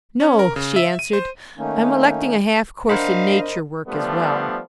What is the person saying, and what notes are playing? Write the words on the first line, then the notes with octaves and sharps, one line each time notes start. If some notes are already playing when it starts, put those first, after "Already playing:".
"No," she answered, "I'm electing a half-course in Nature Work as well."
C#4
A#4
C#3
E5
D#7
C5
D#3 A3 A#3 C#4 D#4
D4 A#4 C5 D#5 F5 F#5 B5
F3 G3 A3 B3 D4